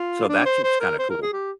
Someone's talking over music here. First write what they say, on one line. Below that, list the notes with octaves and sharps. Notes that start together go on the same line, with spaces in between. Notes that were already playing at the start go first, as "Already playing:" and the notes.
So, that's just kinda cool.
Already playing: F4
D4
C5
C5
A#4
C5
A#4
G#4
G4